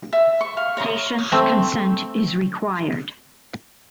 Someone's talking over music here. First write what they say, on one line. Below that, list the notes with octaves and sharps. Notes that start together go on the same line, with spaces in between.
Patient consent is required.
E5
C#6
F5
C#5 A#5 C6 D#6
A3 C4